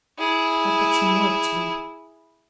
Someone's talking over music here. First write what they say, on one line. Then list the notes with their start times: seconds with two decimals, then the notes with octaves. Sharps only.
I've got some work to do.
0.18 E4 G#4